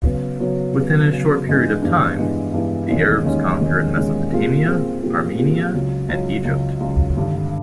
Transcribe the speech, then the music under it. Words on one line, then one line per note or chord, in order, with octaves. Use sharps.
Within a short period of time, the Arabs conquered Mesopotamia, Armenia and Egypt.
C#3 F#3 B3
C#3 F#3 B3
C#3 F#3 B3
C#3 F#3 B3
G2 E3 G#3 B3 D4
G2 E3 G#3 B3 D4
G2 E3 G#3 B3 D4
G2 E3 G#3 B3 D4
E1 D#2 D#3 G#3 C#4
E1 D#2 D#3 G#3 C#4
E1 D#2 D#3 G#3 C#4
E1 D#2 D#3 G#3 C#4
A#2 G3 C4 F4 G#4
A#2 G3 C4 F4 G#4
A#2 G3 C4 F4 G#4
A#2 G3 C4 F4 G#4
C#2 C#3 F#3
C#2 C#3 F#3
C#2 C#3 F#3
C#2 C#3 F#3
G#1 G2 D3